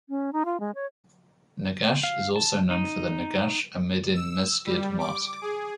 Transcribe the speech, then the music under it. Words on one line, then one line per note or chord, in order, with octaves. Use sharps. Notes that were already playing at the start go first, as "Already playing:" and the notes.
Negash is also known for the Negash Amedin Mesgid mosque.
C#4
D#4
F4
G#3
C#5
F5
A5
D#4
E6
G3
D6
G#4